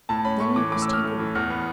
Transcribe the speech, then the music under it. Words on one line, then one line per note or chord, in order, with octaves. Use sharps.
Then you must take a walk.
A2 A5
C#4 B5
A3 C#6
E3 D6
A2 D6
E6
C#4
F6
A3
E3
E2 F6
B3